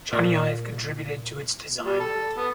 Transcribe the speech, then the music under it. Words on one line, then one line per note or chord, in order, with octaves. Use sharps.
Jony Ive contributed to its design.
A#2
G3
A4
B3